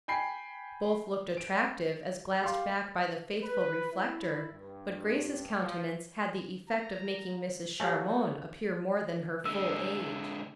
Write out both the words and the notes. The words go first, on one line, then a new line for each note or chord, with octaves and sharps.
Both looked attractive as glassed back by the faithful reflector; but Grace's countenance had the effect of making Mrs. Charmond appear more than her full age.
G5 G#5 B5 C7
D7
G4 F5 C6
B4
E4
G2
F3
A#5
A3 A#3 F#4 G4 C#5 G#5
D3 G#3 E6